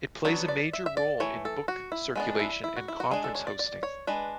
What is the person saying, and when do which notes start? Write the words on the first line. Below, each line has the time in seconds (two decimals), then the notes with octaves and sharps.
It plays a major role in book circulation and conference hosting.
0.25 F#3 B3 D4 C#5
0.48 D5
0.73 E5
0.86 E5
0.97 D5
1.20 E3 A3 C#5
1.45 A4
1.68 F#4
1.92 E4
2.16 G#3 B3 D4
2.39 E4
2.64 E4
2.76 F#4
2.88 E4
3.00 F#4
3.11 G#3 D4 G#4
3.24 A4
3.35 C#5
3.47 D5
3.59 D5
3.83 C#5
4.07 G#3 D4 B4